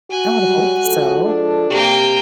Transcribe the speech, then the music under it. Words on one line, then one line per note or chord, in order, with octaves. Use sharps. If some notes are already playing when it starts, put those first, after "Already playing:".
I would hope so.
F#4 G#5 F#6
F#3 G3
F3 G#3 A4
D4
C3 A#3 G4 G5